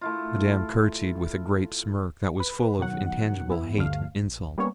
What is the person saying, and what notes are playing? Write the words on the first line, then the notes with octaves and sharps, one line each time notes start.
Madame courtesied with a great smirk, that was full of intangible hate and insult.
A3 E4 F4
B4
B2 D#3 F#3 F#5
E2 B3 E4
D2 G2 D3 A3 F5
A#1
G3 A#3 B3 C#4 C#5